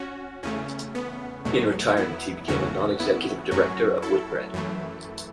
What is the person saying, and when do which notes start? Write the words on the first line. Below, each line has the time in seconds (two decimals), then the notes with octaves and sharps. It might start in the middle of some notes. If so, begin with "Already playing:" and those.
In retirement he became a Non-Executive Director of Whitbread.
Already playing: C#4 F#4
0.43 E2 C#3 A3 C#4
0.95 B3
1.45 E2 B2 F#3 A3
1.97 B3 E4
2.48 E2 C#3 E3 A3 C#4 F#4
3.00 B3 E4
3.51 F#2 F#3 A3 C#4 F#4
4.02 E4 A4
4.54 F#2 E3 A3